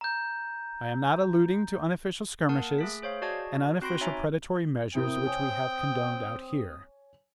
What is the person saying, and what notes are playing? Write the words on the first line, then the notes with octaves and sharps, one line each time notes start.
I am not alluding to unofficial skirmishes, and unofficial predatory measures which we have condoned out here.
A#5 G6
A#3 A#4 F#5 A5
A3 G#4 B6
G#4 C5 C#5 F5
F#4 G#4 D5 D#5 A5 G#6
C4 F#4 B5 C6 A#6 D7
D#4 C#5 E5 G#5 A#5
C3 C4 E4 A#4 G5 D#6
C#5 G#5